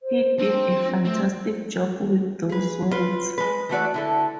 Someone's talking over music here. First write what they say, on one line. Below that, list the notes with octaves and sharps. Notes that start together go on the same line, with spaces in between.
He did a fantastic job with those words.
C5
C4 D4
F3
A3 C4
G#4 B4
F4 B4
G#3 B4
E3 A3 F#4 D5
D3 E4 A4